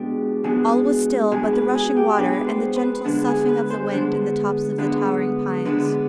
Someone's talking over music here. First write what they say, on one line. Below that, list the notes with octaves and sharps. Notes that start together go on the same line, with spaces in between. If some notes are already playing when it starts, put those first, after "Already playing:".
All was still but the rushing water and the gentle soughing of the wind in the tops of the towering pines.
Already playing: B2 G#3 B3 D4 G4
B2 G#3 B3 D4 G#4
B2 G#3 B3 D4 G#4
B4
G#4
G4
B2 G#3 B3 D4 B4
G#4
B4
C5
B4
D3 G#3 B3 D4
G#4
B4
C5
D3 G#3 B3 D4
D3 G#3 B3 D4
D3 G#3 B3 D4 B4